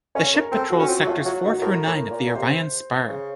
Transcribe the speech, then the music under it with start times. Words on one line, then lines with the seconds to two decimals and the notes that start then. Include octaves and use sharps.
The ship patrols Sectors Four through Nine of the Orion Spur.
0.15 C#4 C#5
0.34 A#4
0.52 C4 A4
0.70 F#4
0.79 C#4
0.88 C4 F4
0.99 F#3
1.07 A3 F4
1.25 F#3 F4
1.43 D#3 F#4
1.61 A2 A#4
1.87 A2
2.11 A#2
2.26 A#2
2.35 C3 C5
3.08 C#3